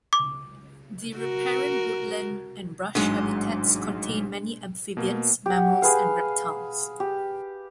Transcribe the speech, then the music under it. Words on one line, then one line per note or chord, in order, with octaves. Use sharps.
The riparian woodland and brush habitats contain many amphibians, mammals and reptiles.
D6
F#4 A#4
A1 G#2 F#3 G#3 D4 D#5
B2 A#3
G4 F#5
G#4 B4 F5
G4